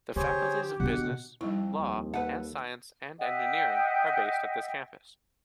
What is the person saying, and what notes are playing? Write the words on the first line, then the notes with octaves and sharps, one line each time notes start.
The faculties of Business, Law, and Science and Engineering are based at this campus.
D3 G4 G#4 C5 C#5
B2 D3 D4 F#5
F2 G3 D#4 E4
D#2
A4 B4 F#5
D#5 E5 F#5 G5